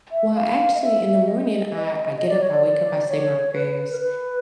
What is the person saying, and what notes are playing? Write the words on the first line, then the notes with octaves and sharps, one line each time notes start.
Well, actually, in the morning, I I get up, I wake up, I say my prayers,
E5
F5
D#5
E5
D#5
D#5
D5
C#5
D5
C#5
B4
A#4
B4